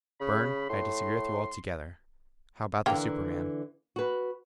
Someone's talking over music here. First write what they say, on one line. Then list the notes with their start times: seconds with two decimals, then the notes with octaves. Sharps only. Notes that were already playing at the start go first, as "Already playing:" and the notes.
"Burne, I disagree with you altogether; how about the superman?"
0.21 C#3 B5
0.69 A2 C6
2.86 D3 E3 A#3 A#4 G5
3.96 F#4 B4